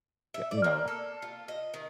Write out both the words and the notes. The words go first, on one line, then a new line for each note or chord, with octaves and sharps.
eh, you know?
E5
D5
A#3
A4
F4
D#5
D#3